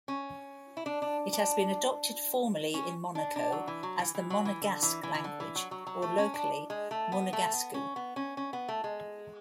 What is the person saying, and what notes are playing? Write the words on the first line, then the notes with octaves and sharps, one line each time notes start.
It has been adopted formally in Monaco as the Monegasque language; or locally, "Munegascu".
C#4
E4
D4
D4
D4
C#4
D4
D4
F#3
E3
F#3
E3
E3
F#3
E3
D3
E3
E3
E3
D3
E3
F#3
F#3
F#3
A3
C#4
D4
G#3
A3
B3
A3
B3
C#4
B3
C#4
C#4
B3
A3
G#3